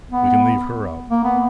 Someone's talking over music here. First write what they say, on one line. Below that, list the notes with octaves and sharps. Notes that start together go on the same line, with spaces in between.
We can leave her out.
B3
A#3
B3